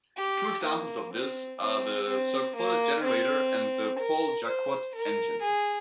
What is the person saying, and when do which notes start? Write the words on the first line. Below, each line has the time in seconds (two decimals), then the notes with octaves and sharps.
Two examples of this are the Serpollet generator and the Paul Jacquot engine.
0.17 G4
0.65 A#3
1.14 C4
1.61 C4
2.08 C4
2.57 A#3
3.04 C4
4.00 A#4
4.48 C5
4.96 A#4
5.43 G#4